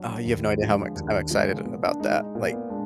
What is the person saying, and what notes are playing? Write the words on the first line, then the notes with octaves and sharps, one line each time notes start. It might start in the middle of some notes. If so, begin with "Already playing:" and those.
Uh, you have no idea how I'm ex I'm excited about that. Like
Already playing: F#3 D4
D#2
D3 F3 G#3
D#2 D4
D3 F3 G#3
A#2 B3
D4
G#3 D#4
D#4
A#2 B3
B3
G#3 D4